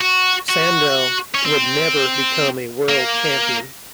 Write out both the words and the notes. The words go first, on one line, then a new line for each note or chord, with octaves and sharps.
Sandel would never become a world champion.
F#4
F#4
C#4
C4
A#3